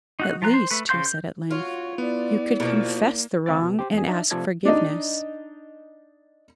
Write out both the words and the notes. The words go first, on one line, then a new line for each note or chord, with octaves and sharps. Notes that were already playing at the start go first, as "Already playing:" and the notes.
"At least," he said at length, "you could confess the wrong, and ask forgiveness."
D#4 F#4 F#6
F3 F4 A#5 F#6
C5
A3 B4
C#3 C5 F5 C6 G6
G6
F4 F#4 C#5
B3 E4 D5
B2 F3 A#3
D2 C4 F5 D6 A6
B2
G4 C5
E2 G#4
D4 D#4 E5
C3 F3 A3 A4 D5 G#6
D4 D#4